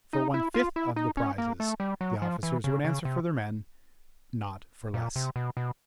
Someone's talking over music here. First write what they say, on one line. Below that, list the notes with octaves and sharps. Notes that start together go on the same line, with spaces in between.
For one fifth of the prizes, the officers would answer for their men; not for less.
D#4
E4
F4
E4
D#4
C#4
A#3
A3
G3
F#3
F3
E3
C#3
C#3
C3
A#2
C3
B2
B2